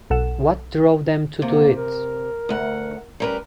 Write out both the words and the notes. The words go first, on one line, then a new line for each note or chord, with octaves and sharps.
What drove them to do it?
B1 A4 F#5 E7
C3 A#3
A#4
D2 F#5
G3 C#4 A#4 B4